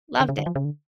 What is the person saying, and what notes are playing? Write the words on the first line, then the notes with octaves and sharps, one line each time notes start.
Loved it.
D3
C#3
D3
F3
C#3
D3